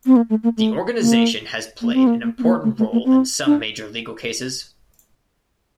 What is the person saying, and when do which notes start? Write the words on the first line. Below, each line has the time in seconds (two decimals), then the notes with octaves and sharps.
The organization has played an important role in some major legal cases.
0.06 C4
0.16 A#3
0.30 A3
0.43 A#3
0.57 A3
0.99 A#3
1.81 A#3
1.94 C4
2.07 A#3
2.23 A#3
2.38 C4
2.43 A#3
2.64 A3
2.78 A3
2.92 A#3
3.05 C4
3.46 D4